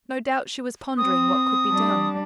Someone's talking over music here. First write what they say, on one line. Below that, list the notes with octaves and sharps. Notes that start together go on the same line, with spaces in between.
No doubt she was pondering what could be done.
C4 D#6
G3 D4